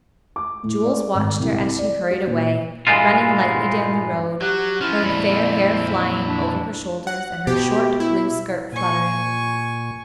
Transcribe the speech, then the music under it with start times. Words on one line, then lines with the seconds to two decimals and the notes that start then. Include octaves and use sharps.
Jules watched her as she hurried away, running lightly down the road, her fair hair flying over her shoulders and her short blue skirt fluttering.
0.36 D6
0.63 A2
0.85 D5
1.14 G#1
1.40 C2
1.79 D5
2.11 F#4
2.27 A#2
2.87 G2 A#2 E3 G#3 D#4 F4
4.42 F#3 G4 F#5
4.81 F3 C#4 E4 F6
5.03 F2 A#2 D5 B5
6.25 D4
7.07 F#5
7.47 B2 G4
8.00 E4
8.72 A#2 G#5 C#6